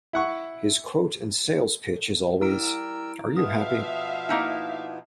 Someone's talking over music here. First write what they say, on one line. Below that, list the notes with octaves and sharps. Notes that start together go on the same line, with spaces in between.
His quote and sales pitch is always Are you happy?
E4 F#5 C#6
G3 E4 A#4 A#5 E6 D7
B2 F3 B3 E5 F5 D#6
A#3 D#4 E4